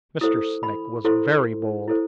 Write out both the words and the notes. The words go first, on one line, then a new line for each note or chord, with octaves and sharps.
Mr. Snake was very bold.
E4 A4 C5 D#6
B5
E4 A4 C5 C6
E4 A4 C5